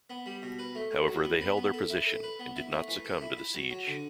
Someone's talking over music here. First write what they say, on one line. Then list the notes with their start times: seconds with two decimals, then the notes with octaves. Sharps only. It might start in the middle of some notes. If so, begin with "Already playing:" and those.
However, they held their position and did not succumb to the siege.
0.10 B3
0.26 G3
0.42 B2
0.59 B4
0.75 A3
0.91 A3
1.08 F#3
1.24 B3
1.41 B4
1.57 B3
1.74 A4
1.90 E4
2.06 A4
2.23 B4
2.39 B3
2.56 E4
2.72 A3
2.88 E3
3.05 A4
3.21 E4
3.37 E4
3.54 F#3
3.70 F#3
3.87 D3